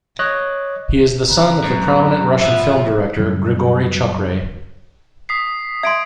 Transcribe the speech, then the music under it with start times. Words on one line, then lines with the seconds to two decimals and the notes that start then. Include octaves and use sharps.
He is the son of the prominent Russian film director Grigory Chukhray.
0.19 C#5 D#5 F#6
1.29 C#2 C#3 C4 A#4 B4 A#5
1.64 F#2 A2 G#3 C4
2.41 G#2 F3 B3 E5
3.18 F#2 C#3 G3
5.29 D#6 B6 C7
5.83 E5 C6 G#6 D7